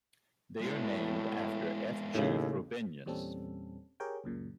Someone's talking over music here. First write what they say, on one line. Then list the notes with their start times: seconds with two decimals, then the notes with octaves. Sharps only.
They are named after F. G. Frobenius.
0.61 A2 G#3 B3
2.15 D#2 A2 C#3
3.06 E2 A#2 G3 C4 C#4 A4
4.00 G4 G#4 A#4 C#5 G5
4.24 C#2 F#2 A#2 C#3